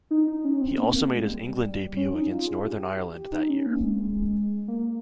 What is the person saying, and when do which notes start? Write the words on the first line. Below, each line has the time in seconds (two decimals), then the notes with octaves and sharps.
He also made his England debut against Northern Ireland that year.
0.11 D#4
0.27 D#4
0.45 C#4
0.61 C4
0.78 A#3
0.95 A#3
1.12 G#3
1.29 G3
1.97 C#4
2.14 D#4
2.31 F4
2.47 G#4
2.65 G4
3.32 D#4
3.49 C#4
3.66 A#3
3.83 G#3
4.68 A#3